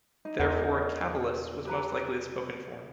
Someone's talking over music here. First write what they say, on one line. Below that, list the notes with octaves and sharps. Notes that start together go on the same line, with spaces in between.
Therefore "caballus" was most likely the spoken form.
D#4
E2 D#4 A#4 F#5
G4 B4 A#5